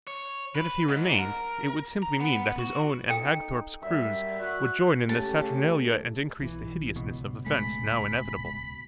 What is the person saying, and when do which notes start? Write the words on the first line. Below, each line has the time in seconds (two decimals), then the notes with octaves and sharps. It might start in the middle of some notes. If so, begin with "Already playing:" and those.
Yet if he remained, it would simply mean that his own and Hagthorpe's crews would join in the saturnalia and increase the hideousness of events now inevitable.
0.07 C#5
0.55 B4
0.89 G#2
1.19 A#4
2.03 A#5
2.20 B3
2.59 F#4
3.10 D#4 A4 G5
3.82 F#2 G3 E5
4.40 F#4 F#6
5.09 C#3 A3 C#4 G4 A5
6.40 B1 E3
6.96 C#2 B2
7.46 D#1 A2 G#3 A3 B5